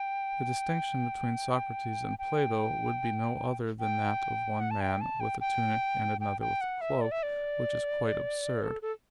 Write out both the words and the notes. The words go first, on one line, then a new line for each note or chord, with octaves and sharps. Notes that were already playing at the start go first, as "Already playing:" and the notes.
The distinction between Socrates and Plato would be no other than that of one man with a tunic and another with a cloak; which is quite absurd.
Already playing: G5
G5
G5
F#5
A5
G5
A5
G5
G5
G5
G5
F#5
E5
D5
E5
D5
A4
A4